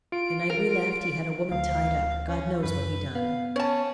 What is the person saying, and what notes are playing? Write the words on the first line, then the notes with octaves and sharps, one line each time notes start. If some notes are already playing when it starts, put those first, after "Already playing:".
The night we left, he had a woman tied up--God knows what he done.
F4 D7
A#4
D2 F5
C#4
F#2 B4
B3 F5
C#4 C#5 A5